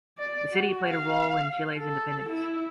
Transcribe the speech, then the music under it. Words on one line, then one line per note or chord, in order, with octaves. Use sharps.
The city played a role in Chile's independence.
D5
F#4
F5
A4
E4